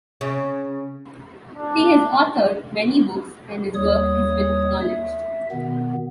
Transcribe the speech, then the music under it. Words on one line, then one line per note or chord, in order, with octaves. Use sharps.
He has authored many books, and his work has been acknowledged.
C#3
D4
D#2 G3 C#5 D#6
E5
B2 D#3 B3